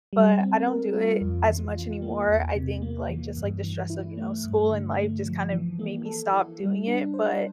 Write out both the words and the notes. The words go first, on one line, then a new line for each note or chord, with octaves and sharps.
but I don't do it as much anymore. I think, like, just, like, the stress of, you know, school and life, just kind of, made me stop doing it, but
G3
C4
A#4
F4
F2
E3
F4
A#3
E2
C3
A#3
E3
G2
E3
E4
A3
G2
D3
A3
F3
E3
A#3
A4
E4
G3
D4
C5